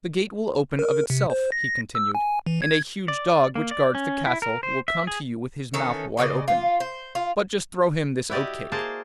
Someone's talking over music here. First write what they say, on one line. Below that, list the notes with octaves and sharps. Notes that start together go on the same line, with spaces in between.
'The gate will open of itself,' he continued, 'and a huge dog which guards the castle will come to you with his mouth wide open, but just throw him this oat cake.
A#4
C3
C5
A#6
E6
G#5
E3
G#6
D5
A#3
D5
C#4
E4
A#4
C5
E5
G#4
D#3 E3 C#4 A4
C#3 C#4 D5 D#5
F4
C5
F4
E4 F#4 G4 D5 D#5
A#3 G#4 A#4 C5 A5